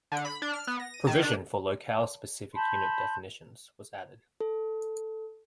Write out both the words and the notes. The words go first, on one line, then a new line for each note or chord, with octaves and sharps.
Provision for locale-specific unit definitions was added.
D3
B5
D4
F6
B3
A#6
D#7
D#3
D4
A5 B5 C6 G6
A4